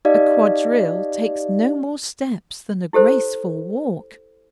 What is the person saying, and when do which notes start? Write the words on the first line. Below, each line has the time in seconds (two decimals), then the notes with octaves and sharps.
A quadrille takes no more steps than a graceful walk.
0.05 D#4 G4 D5 D#5 F5
2.93 E4 G4 A4 C5